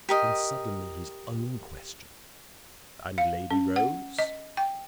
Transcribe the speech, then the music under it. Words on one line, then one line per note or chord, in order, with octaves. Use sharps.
Then, suddenly, his own question--"And Lady Rose?"
G4 A#4 D#5
F5
C#4
F#5
D#5
G5